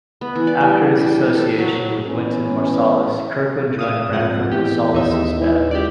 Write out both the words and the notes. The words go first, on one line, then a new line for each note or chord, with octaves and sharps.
After his association with Wynton Marsalis, Kirkland joined Branford Marsalis's band.
B3
E3
D5
G3
G3
A4
F#3
E3 B3 C#4
E5 F5 D#6
F2 G#2 F#5
E2 G4
D#2 D#4 E5
E3
C#2 G4 D5